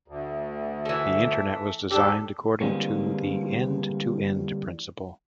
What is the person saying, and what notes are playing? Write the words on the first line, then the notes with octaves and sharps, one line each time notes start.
The Internet was designed according to the end-to-end principle.
D2
E3 A3
D#2 D4 G4 A4
D3 E3 G3 G#3 A#3 C4